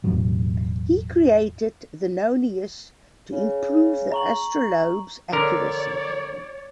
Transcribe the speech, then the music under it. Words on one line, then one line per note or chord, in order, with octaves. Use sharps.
He created the nonius to improve the astrolabe's accuracy.
E1 A2 F#3
C#3
A#5 C#6 F#7
D3 A#4 C#5 D5